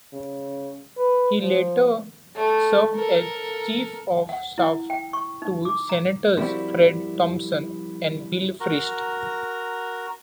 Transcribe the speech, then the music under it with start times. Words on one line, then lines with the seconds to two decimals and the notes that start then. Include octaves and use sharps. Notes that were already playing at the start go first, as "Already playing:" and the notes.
He later served as chief of staff to Senators Fred Thompson and Bill Frist.
0.13 C#3
0.97 B4
1.40 F3
2.35 A3
2.95 A4 A#4
4.29 F#5
4.58 E4
4.90 G5
5.13 C#6
5.42 D#4
5.65 D6
5.89 A#5
6.37 F3 G3 A#3 C4 E4 F#4
8.61 F#4 A#4 A#5